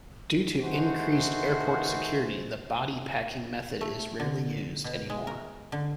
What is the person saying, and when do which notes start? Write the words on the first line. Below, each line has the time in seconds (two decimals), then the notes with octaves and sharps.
Due to increased airport security the "body packing" method is rarely used any more.
0.61 D#3 G#3 A3 B3 F#4 C5
3.81 A3
4.20 D3
4.84 B2
5.10 G#3
5.27 A#4
5.72 D3